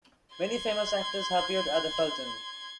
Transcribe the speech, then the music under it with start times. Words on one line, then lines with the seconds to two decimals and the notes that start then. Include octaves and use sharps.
Many famous actors have appeared at the Fulton.
0.35 C6 G#6